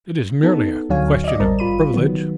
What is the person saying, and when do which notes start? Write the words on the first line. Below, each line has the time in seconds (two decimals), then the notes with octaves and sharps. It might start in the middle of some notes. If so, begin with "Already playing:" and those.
"It is merely a question of privilege."
0.43 B3 D#4 A4
0.89 D2 D3 F#3 C#5 F5 G#5
1.24 D5 D#5
1.39 A1 G3 C4 A#4 A5
1.59 G#1 F4 B5 D#7
1.94 D#3 F#3 B3